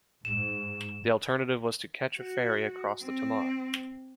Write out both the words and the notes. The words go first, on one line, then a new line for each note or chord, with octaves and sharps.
The alternative was to catch a ferry across the Tamar.
G#2 E7
F#4
C4